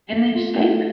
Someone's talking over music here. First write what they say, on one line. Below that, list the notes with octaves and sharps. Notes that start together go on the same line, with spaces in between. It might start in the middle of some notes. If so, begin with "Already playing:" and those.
Can they escape?
A3
F4
A3